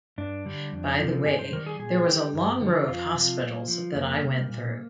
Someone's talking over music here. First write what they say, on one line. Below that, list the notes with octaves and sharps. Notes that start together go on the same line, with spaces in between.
By the way, there was a long row of hospitals that I went through.
G2 D4
D3 G3
F2
C3 F3
G2 G#4
C5
D#3 G3 A#4
G#4
A#2 G#4
G3 G4
G2
D3 F3
F2 F4
C3 F3
A#2
F3
F2 A#3
C3 G3
A#2